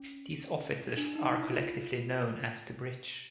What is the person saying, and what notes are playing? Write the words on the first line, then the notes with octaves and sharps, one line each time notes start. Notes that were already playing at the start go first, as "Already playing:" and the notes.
These officers are collectively known as the Bridge.
Already playing: C#4
D4
D#4
E4
F4